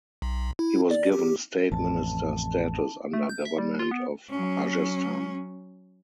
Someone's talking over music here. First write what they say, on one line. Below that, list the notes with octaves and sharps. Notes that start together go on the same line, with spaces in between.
He was given State Minister Status under Government of Rajasthan.
B1
E4
D5
G4
A1 F2 A5
A3
G6
E5
G3
F4
B3
F#3 C#4